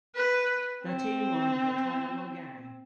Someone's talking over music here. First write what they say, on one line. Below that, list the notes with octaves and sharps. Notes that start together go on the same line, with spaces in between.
The team won the title again.
B4
C4